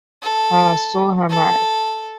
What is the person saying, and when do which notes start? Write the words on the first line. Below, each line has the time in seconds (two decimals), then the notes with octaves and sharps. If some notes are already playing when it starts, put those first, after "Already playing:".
Ah, so am I.
0.23 A4
1.30 A4